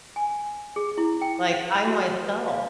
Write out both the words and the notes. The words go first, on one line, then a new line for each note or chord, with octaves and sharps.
Like, I myself
G#5
G#4
E4
G5
F#5
F#4
B4
F5